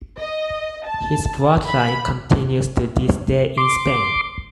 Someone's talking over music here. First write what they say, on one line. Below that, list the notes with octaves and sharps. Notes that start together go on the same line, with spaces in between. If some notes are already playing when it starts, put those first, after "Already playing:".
His bloodline continues to this day in Spain.
D#5
A5
B5
C6 D6